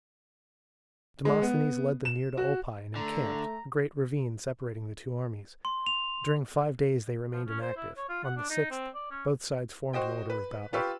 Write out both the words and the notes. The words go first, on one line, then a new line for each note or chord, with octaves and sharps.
Demosthenes led them near to Olpae and encamped, a great ravine separating the two armies. During five days they remained inactive; on the sixth both sides formed in order of battle.
G#3
B3
E7
F#4
D3 A3 A#5
C6
F7
F3
C#4
C5
E4
C#5
F4
F#5
D4
D#4
C4
D5
C#4
F#4 C5 D#5 G5
B4
F4 G4 B4 C#6 E6